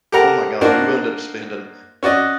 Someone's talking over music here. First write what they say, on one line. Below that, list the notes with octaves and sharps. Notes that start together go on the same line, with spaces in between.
Oh my god. We wound up spending
G4 A4 A#4 F#5 A#5
A#3 D4 D#4 F#4 A#4 C5
C#4 F#4 D5 D#5